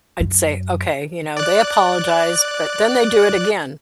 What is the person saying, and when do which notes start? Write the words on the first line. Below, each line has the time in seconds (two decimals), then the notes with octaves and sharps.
I'd say, "Okay, you know, they apologized, but then they do it again,"
0.20 F#2
1.37 D5 F#6